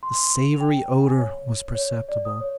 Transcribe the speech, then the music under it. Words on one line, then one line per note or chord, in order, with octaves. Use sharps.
The savoury odour was perceptible.
C6
F7
G5
G#5
C#5
C#5
D5
D#6
C#5